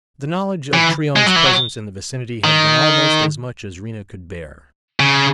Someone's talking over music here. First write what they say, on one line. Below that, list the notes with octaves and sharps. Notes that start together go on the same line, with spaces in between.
The knowledge of Tryon's presence in the vicinity had been almost as much as Rena could bear.
E3
G#3
F#3
E3
F#3
D#3
C#3